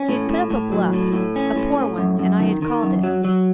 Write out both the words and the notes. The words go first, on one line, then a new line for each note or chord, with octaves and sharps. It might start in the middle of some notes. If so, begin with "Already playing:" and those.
He had put up a bluff--a poor one--and I had called it.
Already playing: C#4
A2
A2
A2
F#3
A2
A2
C#4
A2
A2
F#2
F#2
D#3
D#3
F#2
F#3
F#3